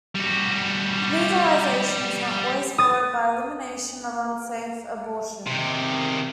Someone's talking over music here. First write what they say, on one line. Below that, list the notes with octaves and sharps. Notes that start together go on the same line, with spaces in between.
Legalization is not always followed by elimination of unsafe abortion.
G3 F#4
D#6 A6
C3 D#3